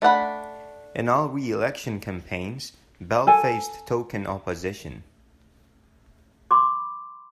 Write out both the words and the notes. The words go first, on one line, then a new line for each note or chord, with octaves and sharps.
In all re-election campaigns, Bell faced token opposition.
A3 D4 F#5 B5
A4 G#5
B5 C6 D6